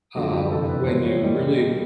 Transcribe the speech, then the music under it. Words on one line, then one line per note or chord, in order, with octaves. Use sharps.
uh, when you really
F#2 D3 F3 F#4
G4
F2 C3 E3 A4
B4
C#5
G#2 E3 G3 A#3 C5
C#5
A#2 G3 A#3 D#5
B2 G3 A#3 D#5